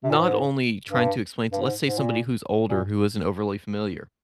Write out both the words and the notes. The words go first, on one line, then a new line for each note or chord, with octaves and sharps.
not only trying to explain to let's say, somebody who's older, who isn't overly familiar,
C3
A#2
G#2
G2
G2
G#2
G#2
A#2
A#2